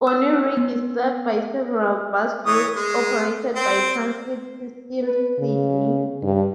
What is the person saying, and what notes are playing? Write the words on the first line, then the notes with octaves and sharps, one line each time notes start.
Bonnyrigg is served by several bus routes operated by Transit Systems Sydney.
E6
B3
E3 C#5 D#6
G#3
C4
B4
C#3
G2